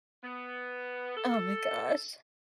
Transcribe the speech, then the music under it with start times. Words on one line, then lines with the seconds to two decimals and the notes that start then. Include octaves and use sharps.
Oh my gosh.
0.23 B3
1.17 A4